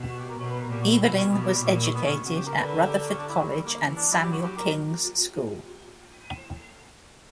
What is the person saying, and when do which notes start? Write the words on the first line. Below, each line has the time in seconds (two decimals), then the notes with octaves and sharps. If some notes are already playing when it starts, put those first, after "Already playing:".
Eveling was educated at Rutherford College and Samuel King's School.
Already playing: B2
0.09 F#4
0.19 G4
0.29 A#4
0.39 B2 C#5
0.50 B4
0.60 A#4
0.70 A#2 G4
0.81 F#4
0.91 E4
1.02 B2 E4
1.17 C#4
1.32 B2 B3
1.42 A#3
1.53 G3
1.64 A#2 F#3
1.74 G3
1.84 F#3
1.94 B2 B3
2.05 C#4
2.25 C#3 F#4
2.35 G4
2.46 A#4
2.56 D3 B4
2.67 B4
2.77 A#4
2.87 G4
2.98 D4
3.08 C#4
3.18 D3 D4
3.28 E4
3.39 F#3
3.49 G3
3.65 A#3
3.80 E3
3.96 D4
4.11 F#3 E4
4.22 G4
4.32 F#4
4.42 G4
4.58 A#4